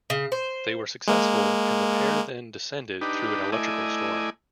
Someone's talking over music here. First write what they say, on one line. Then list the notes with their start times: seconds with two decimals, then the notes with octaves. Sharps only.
They were successful and the pair then descended through an electrical storm.
0.10 C#3
0.32 C5
1.08 G#3 A#3
3.01 D4 D#4 G4 B4
3.52 A3 E4 D5 D#5 G#5